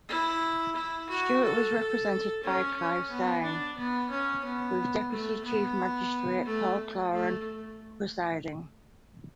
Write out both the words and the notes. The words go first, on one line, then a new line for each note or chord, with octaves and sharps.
Stewart was represented by Clive Steirn, with Deputy Chief Magistrate Paul Cloran presiding.
E4
E4
F#4
A4
C#4
C#4
B3
D4
B3
C#4
B3
A3
B3
A3
A3